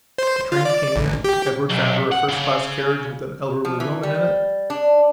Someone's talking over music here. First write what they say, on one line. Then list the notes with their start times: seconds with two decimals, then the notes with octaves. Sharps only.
The train came in; Edward found her a first-class carriage with an elderly woman in it.
0.18 C5
0.52 F4
0.65 D5
0.96 A1
1.24 G4
1.70 B1
2.11 F#5
2.28 C#3
3.65 F3
3.80 E3
4.03 G3
4.70 D4